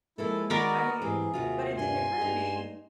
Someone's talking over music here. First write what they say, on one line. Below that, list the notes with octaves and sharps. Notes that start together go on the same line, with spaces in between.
I mean, but, it didn't occur to me,
F3 G#3 A#3 E4 A4
D#3 F#4 A#4 D5 D#5 B5
G#2 E3 C4 G4 G#4
D#2 C3 F4 F#4
G2 G#5 C6
G2 D#4